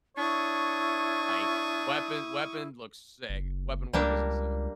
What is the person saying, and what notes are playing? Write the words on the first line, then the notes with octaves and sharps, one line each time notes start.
Like, weapon weapon looks sick, weapon work is insane.
D4 E4 C#5 C#6 D#6
F#1
C#2 G3 A#3 D4